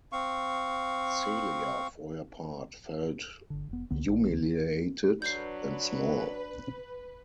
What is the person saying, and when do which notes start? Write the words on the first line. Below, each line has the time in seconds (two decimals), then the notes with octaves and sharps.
Celia, for her part, felt humiliated and small.
0.12 C4 F5 C#6
3.50 G1 D3
3.69 F1 B3
3.91 C#2 D3 B3
4.08 A#1
4.30 D2
5.22 F#3 D4 B4 G6 C7